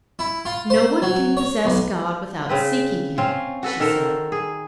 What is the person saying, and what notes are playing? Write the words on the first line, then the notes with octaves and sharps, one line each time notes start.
"No one can possess God without seeking Him," she said.
E4
F4
C5
F#3
C#5
B1
C#3 C4 B4
C4 C#4 F4
F#4 A4 B4
D#3 A4 A#4 C5
G#4